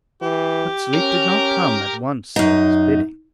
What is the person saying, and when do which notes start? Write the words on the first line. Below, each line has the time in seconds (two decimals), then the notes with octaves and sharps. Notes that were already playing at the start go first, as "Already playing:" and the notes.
But sleep did not come at once at his bidding.
0.22 E3 G4
0.94 C#4 A#4
2.36 F#2 D#4